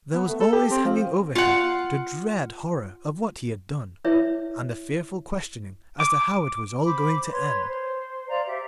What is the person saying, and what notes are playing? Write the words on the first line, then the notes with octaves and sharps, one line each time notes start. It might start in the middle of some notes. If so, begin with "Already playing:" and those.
There was always hanging over him the dread horror of what he had done, and the fearful questioning as to how it was all going to end.
B3
A3
A4
G4
C4
F3
F4 F#5
E4 B4 C#5 E5
D6
C5 B5 D6
B4 C#5 C6
C5
C5 D5 F5 A#5
G4 E5